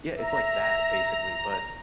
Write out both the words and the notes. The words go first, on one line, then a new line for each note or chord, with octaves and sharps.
Yeah, it's like that, basically, but
E5 A#5